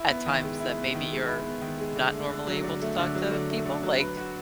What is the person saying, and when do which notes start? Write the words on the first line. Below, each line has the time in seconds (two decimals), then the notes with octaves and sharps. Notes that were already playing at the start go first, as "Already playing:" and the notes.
at times that maybe you're not normally able to talk to people? Like
Already playing: E4
0.09 B3
0.26 D#3
0.44 G#3
0.59 E4
0.78 B3
0.94 D#3
1.11 G#3
1.28 E4
1.46 B3
1.61 D#3
1.79 G#3
1.96 D3
2.13 A3
2.30 D3
2.47 F#3
2.63 D3
2.82 A3
2.98 D3
3.15 F#3
3.32 D3
3.50 A3
3.65 D3
3.83 F#3
4.00 B4
4.17 F#4